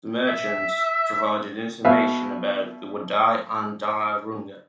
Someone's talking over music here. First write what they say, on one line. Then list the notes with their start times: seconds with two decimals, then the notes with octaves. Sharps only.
The merchants provided information about the Wadai and Dar Runga.
0.24 E5
1.85 B2 B4 E5 F5